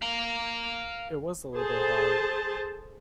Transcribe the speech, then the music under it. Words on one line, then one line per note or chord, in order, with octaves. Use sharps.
It was a little hard.
F5 A#5
G#4 A4 C5 A5